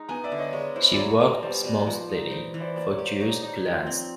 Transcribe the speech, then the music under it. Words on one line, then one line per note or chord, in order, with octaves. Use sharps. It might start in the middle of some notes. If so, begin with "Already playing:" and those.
She worked mostly for Jewish clients.
Already playing: G#3 D#4
B3 G#5 A#5
D5 E5
D3
C#5 D#5
G#3 C#5
E4 C5
D5
F#3 C#5
B2
G3 C5 D5
B2
F3
D#4
E3 C5
E3
C5 D5
A#3 C5 D5
C#5
G4
C5
D#4 C#5
D#4
F3
C4